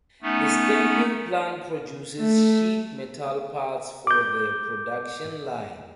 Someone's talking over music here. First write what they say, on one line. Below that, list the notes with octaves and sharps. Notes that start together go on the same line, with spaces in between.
The stamping plant produces sheet metal parts for the production line.
A3 B3 C#4 D#4
A3
D6 G6